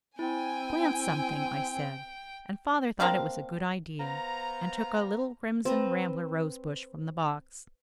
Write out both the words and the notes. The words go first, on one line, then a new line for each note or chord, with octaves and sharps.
"Plant something!" I said, and father thought it was a good idea and took a little crimson rambler rose bush from the box.
C4 E4 G5 G#5
A#3 C4 D4 F5
B3 C5 F5 A#5
C4 B4 A#5